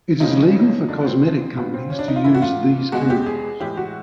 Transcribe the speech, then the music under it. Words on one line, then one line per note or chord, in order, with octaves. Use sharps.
It is legal for cosmetic companies to use these chemicals.
F2 C#3 F3 G#3 D#4
F2 D3 F3 A3 D4
B3
C4
A#2 G3 B3
C4
C#4
D4
D#4
F4
G#2 E3 A3 E4
F#4
F4
E2 B2 G#3 F#4
G4
G#4
A2 E3 G#3 G4
F#4